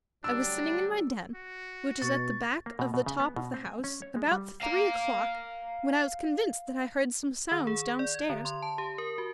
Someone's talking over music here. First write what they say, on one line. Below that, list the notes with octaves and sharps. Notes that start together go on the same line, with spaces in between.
I was sitting in my den, which is at the back of the top of the house, about three o'clock, when I was convinced that I heard some sounds downstairs.
D2 F#3 G3 D4 E6
F#4
B2 C#6 A6
A#3
B2
B2
C#3
B3
B2
C4
G#5
C#4
C#5
G#3
G3
F5 A#5
D#3
G#4
D5
G#6
D3
C6
A5
G4
A#4
F#4